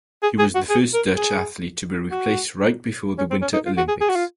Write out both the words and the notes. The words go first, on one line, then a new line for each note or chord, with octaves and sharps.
He was the first Dutch athlete to be replaced right before the Winter Olympics.
G#4
G#4
F#4
G#4
A#4
G#4
F#4
C#4
C4
C#4
D#4
F4
F#4
G#4
G#4
F#4
F4